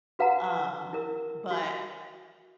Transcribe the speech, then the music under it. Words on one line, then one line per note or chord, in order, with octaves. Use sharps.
um but,
F#4 B4 F5 F#5 A#5
E4 A#4
F#4